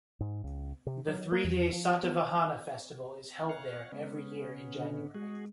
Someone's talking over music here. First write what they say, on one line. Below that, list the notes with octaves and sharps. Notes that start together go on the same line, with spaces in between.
The three day Satavahana festival is held there every year in January.
G#2
C#2
C3
F#3
A#3
E2
F3
B3
C#5 F5 F#5
C#3 G#3 B3 C#4
D3
G#3 F#4 G#4